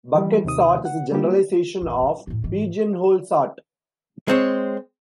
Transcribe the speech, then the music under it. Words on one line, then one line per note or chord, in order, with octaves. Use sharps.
Bucket sort is a generalization of pigeonhole sort.
E3 G3
D#2 C3 D#3 D#6
F#5
G3 A#3 B3 F4 G4
A#1 E2
G3
E2 A2
G#2 E3
G#3 C4 C#5